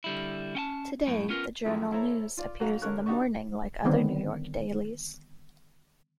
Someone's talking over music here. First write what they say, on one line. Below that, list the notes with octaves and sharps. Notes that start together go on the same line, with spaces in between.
Today, "The Journal News" appears in the morning like other New York dailies.
D3 G3 E4
C#4 G5 A5
F#2 A2
B3 C#4 F4 F#4 A#4
F#2 D#3 F3 G#3 A3 E4
E4 A4 C5 C#5 A5 A#5
F4 D5
G#2 F#3 F#4 F5 A#5
D3 C#4 A#4 C#6 F#6
D4 D#4 F#4 G4 D5 C#6
D3 D#3 G3 B3 C4 D4